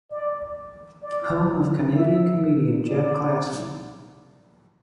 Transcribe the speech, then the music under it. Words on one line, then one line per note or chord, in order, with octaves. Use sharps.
Home of canadian comedian Jack Klassen.
D5
D5
E5
D5